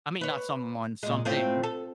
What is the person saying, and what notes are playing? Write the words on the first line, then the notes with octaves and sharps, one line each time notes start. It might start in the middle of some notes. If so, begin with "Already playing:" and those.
I mean not someone, something,
B4 C#5
A#2 G#3
A2 C4 F4
A4